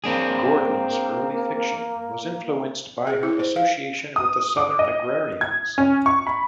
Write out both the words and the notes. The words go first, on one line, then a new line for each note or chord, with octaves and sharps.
Gordon's early fiction was influenced by her association with the Southern Agrarians.
A#3 C4 D4 G#4
G#4
E4
C5
F5
D#6
D6
D#5
G#6
C#4
C#6
B5